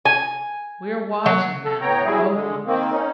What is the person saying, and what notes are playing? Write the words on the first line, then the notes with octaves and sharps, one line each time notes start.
We are wiser now both of us.
G#5
F#3
A4
A2 B3 C#5 G5 A#5
F#3 G3 E4 G#4
D3 G#3
D#3 A#3 C4
C#4 D#4